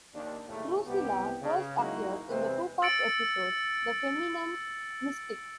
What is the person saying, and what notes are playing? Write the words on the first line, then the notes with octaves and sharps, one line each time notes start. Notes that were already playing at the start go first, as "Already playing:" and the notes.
Drusilla first appeared in the two-part episode "The Feminum Mystique".
D#2 D4
D#2 A2 C#3 A3
C2 B3 G4
C#3
F#3 G#3 A#3 D#4 E4 F#4
E2 C3 G#3 C4 B4 C5
E6 A6 C#7 D7